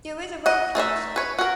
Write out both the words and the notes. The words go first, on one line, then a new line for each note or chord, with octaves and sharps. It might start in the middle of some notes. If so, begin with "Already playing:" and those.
There is a road connection.
D#5 F#5
A3 D#4 C5 E5
B4 C#5
F#4 A#4